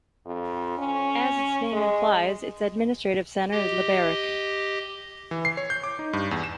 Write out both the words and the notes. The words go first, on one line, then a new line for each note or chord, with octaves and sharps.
As its name implies, its administrative center is Liberec.
F2
C#4
G#3
G4 D#5
E3
C7
C#5
G6
D6
D#4
G2
E2
E7